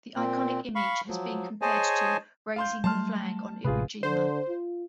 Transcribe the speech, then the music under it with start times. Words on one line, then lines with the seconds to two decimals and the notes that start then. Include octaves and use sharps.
The iconic image has been compared to "Raising the Flag on Iwo Jima".
0.16 A#2 C4
0.75 F5 B5 C#6
1.08 F3 F#3
1.62 G#4 C5 C#5 D#5 G#5 A5
2.56 F5 C6 G6
2.84 F#3 G3 A3 A5 C6 F6
3.64 A1 C3 F4 G#4 B4
4.03 D3 C5
4.48 F4